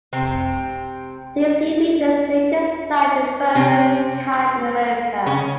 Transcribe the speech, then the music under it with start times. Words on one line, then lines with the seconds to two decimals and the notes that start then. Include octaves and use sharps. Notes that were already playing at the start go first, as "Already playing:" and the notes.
These new features make this slide the first of its kind in America.
0.13 C3 C4
3.55 C3 C4
5.26 C#3 C#4